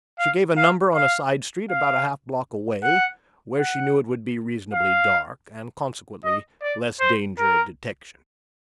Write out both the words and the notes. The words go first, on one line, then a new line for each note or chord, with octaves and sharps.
She gave a number on a side street about a half block away, where she knew it would be reasonably dark, and consequently less danger of detection.
F5
F5
F5
F5
F#5
F#5
F5
D#5
D5
C5
A#4